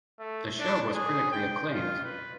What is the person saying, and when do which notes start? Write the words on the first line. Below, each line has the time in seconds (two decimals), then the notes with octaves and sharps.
The show was critically acclaimed.
0.19 A3
0.60 D4
0.93 G#4
1.32 G5
1.72 F4
2.04 B4